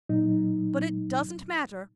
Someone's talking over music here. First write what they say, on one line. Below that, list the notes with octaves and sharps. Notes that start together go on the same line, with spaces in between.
But it doesn't matter.
A#2 F#3 D#4